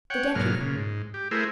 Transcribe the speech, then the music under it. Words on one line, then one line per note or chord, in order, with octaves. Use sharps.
"The deputy."
C#5 F#5 G5
G#2 B2 F#3 A#3 F6
A#2 C#3
G#2
G4
A3 E4 G#4 A#4 C5